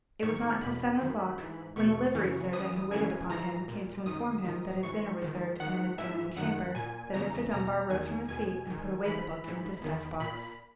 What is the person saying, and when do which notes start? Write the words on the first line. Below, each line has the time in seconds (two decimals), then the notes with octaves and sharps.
It was not till seven o'clock, when the liveried servant who waited upon him came to inform him that his dinner was served in an adjoining chamber, that Mr. Dunbar rose from his seat and put away the book in the despatch-box.
0.23 G#2 D#3 C#6
0.61 E2 B2 B5
1.00 F#2 D#3
1.38 G#2 E3
1.76 E2 B2 C#6
2.14 F#2 C#3 E3
2.53 F#2 E3 D#6
2.91 F#2 C#3 E3 G#5
3.30 G#2 E3 A#5
3.68 A#2
4.06 F#2 D#3 D#6
4.45 G#2 D#3
4.83 G#2 E3 C#6
5.21 G#2 D#3
5.60 G#2 D#3 F#5
5.98 G#2 E3 E5
6.36 F#2 D#3 F#5
6.75 A#2 G#5
7.13 E2 C#3 E3 A#5
7.51 E2 B2 A#5
7.90 E2 D#3 G#5
8.28 E2 B2 G#5
8.67 G#2 D#3
9.05 G#2 E3 B5
9.44 G#2 E3
9.82 E2 D#3
10.20 A#2 B5